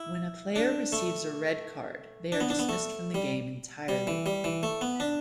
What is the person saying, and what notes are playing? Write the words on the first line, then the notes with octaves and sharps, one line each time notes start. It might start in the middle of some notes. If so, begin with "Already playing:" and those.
When a player receives a red card, they are dismissed from the game entirely.
Already playing: E4
D4
A3
D4
B3
D4
B3
A3
G3
G3
E3
G3
E3
A3
B3
D4